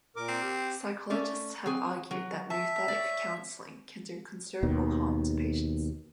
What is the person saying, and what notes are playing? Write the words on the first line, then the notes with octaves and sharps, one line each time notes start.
Psychologists have argued that nouthetic counseling can do considerable harm to patients.
A#2 A#4 D6
C4
G4
A3 C#4 D5
F#3 C4 G#4
F#3
E5 A5
C#5 D5
D#2 B2 D#3